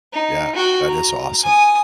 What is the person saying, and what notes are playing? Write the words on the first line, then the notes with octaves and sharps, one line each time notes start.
Yeah, that is awesome.
D#4
F#4 G5
A#5
G#5 D#6